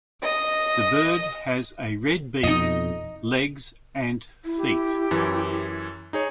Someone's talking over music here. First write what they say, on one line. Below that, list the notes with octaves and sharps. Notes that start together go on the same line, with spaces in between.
The bird has a red beak, legs and feet.
D#5 A#6
F2 B2 D#4 D#5
E4
G4
F#2 E3
D#4 G#4 C#5